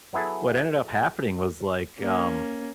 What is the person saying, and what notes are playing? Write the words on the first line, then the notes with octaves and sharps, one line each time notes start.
what ended up happening was like, um,
F#3 B3 E4 G#4 A4
A#3 C#4